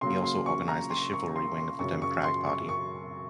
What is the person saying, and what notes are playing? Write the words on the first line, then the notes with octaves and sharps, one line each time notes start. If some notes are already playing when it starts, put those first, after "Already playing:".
He also organized the "Chivalry" wing of the Democratic Party.
C#3 F#3 A#3 C6
C6
C#6
A#5
C6
C#6
C6
C6
F#2 C#3 F#3 C#6
C#6
C6
C#6
C#6